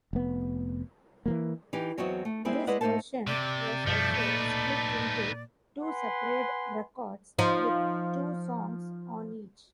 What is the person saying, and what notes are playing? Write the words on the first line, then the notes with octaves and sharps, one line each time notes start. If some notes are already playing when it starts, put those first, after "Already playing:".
This version was also split into two separate records, with two songs on each.
F1 B3
E3 F3 A#3
E3 D#4 G4
E2 F#3 B3 C4 F#4 D#5
A3
G3 A#3 C4 E4 G#4
G#3 E4 B4 D5 D#5 F#5
A2 A3 D#4 C5 F#5 A5
C3 D5
F#2 B2 F3 G3 A3
A#2 A#3 D#4 B4
B4 F#5 G#5 C6
F3 D#4